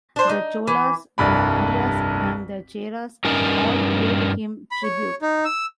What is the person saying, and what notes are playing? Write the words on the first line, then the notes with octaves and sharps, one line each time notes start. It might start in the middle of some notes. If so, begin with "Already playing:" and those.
The Cholas, the Pandyas and the Cheras all paid him tribute.
D4 C5
D#4
E3
F1 C2 G2 D5 B5
G2 C#4 D#4 A#4
B5
C#5
D#4
E6